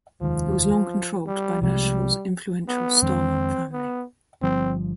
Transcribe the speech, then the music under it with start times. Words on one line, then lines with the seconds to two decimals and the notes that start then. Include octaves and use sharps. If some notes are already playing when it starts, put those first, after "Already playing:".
It was long controlled by Nashville's influential Stahlman family.
0.21 F1 D#2 D#3 F3 G#3
1.27 G3
1.61 C2 C3 F3 G3 G#3
2.68 B3
3.02 F2 D#3 G#3 C4 D4
3.72 B3
4.42 G1 G2 F3 C4